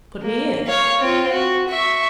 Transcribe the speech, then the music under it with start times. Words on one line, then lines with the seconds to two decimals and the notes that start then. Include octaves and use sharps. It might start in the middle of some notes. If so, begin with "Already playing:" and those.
"Put me in."
0.22 A#3
0.67 C#5 F5
1.01 C4 F4
1.32 F#4
1.69 E5 C#6